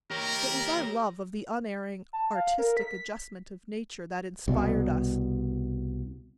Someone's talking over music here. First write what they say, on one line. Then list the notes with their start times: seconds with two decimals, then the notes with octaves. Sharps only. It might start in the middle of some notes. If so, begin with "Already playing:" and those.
It was our love of the Unerring Artistic Adjustment of Nature that inspired us.
0.11 G4 A#4 C#5
2.13 A5
2.35 F5
2.59 A#4
2.77 B6
4.48 C2 B2